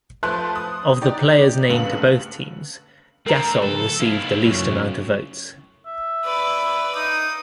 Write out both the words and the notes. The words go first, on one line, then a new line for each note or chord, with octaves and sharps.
Of the players named to both teams, Gasol received the least amount of votes.
F3 A3 B4 A5 C6 F#6
D#6
D#4 G4 D5
C#2 G2 D3 B3 C#4 F#7
D3 G#3 C4 A4 A#4 A#5
A2 C#3 F3 A4 B4
C3 A#3 D#4 E4 F5
C#2 F#2 A2 C#5
E5
B4 D5
D#4 D#6